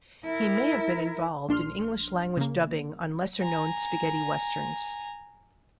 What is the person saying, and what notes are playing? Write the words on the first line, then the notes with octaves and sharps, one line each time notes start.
He may have been involved in English-language dubbing on lesser-known spaghetti westerns.
E4 A#4
A#1 D4 C6 F6
C#3 A#3
G#5 A#5